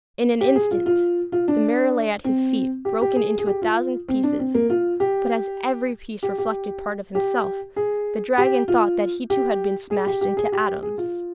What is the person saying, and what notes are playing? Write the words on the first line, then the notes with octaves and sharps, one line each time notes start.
In an instant the mirror lay at his feet broken into a thousand pieces, but as every piece reflected part of himself, the dragon thought that he too had been smashed into atoms.
G4
G#4
F4
F4
F4
D4
C4
G4
G4
G#4
G#4
G4
F4
C4
D4
C4
A#3
F4
G4
G4
G4
G4
G#4
G4
F4
G4
G#4
G4
G4
G#4
G4
G#4
F4